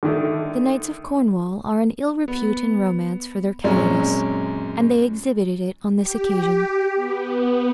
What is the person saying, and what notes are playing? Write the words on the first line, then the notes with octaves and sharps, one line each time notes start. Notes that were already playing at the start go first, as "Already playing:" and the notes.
The knights of Cornwall are in ill repute in romance for their cowardice, and they exhibited it on this occasion.
D3 D#3 A3
B3
F#2 A#2 G#3 C4 C#4
G4
B3